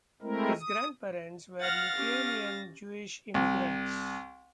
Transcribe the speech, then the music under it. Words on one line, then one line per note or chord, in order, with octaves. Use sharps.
His grandparents were Lithuanian Jewish immigrants.
G#3 A3 C4 E4 A#4
D#6
F5 F#5 F6 A6 A#6
C#4 G4
C2